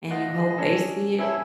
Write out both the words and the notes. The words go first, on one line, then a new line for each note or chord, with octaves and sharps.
and you hope they see it,
A3 F4 D#5 F#5
G#4 B4 C5
C#4 D4 A4
C#4 E4 G#4 A4 E5